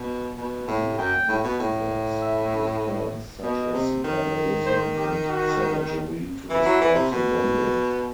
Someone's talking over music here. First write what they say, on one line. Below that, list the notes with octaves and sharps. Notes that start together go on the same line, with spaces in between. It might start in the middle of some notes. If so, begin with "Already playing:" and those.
Many public figures used terms such as "barbarism" and "savagery" to describe the bombing.
Already playing: B2
B2
A2
F#2 G5
A2
B2
A2
E5
B2 D#5
C3
D#3
C5
G4
F#4
E3 E4
F#3
E3
C3
B2